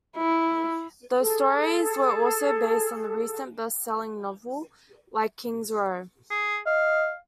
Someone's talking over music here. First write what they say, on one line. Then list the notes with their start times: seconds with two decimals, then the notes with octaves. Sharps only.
Those stories were also based on a recent best-selling novel like "Kings Row".
0.17 E4
1.18 G#4 A4
6.30 G#4
6.66 D#5 F5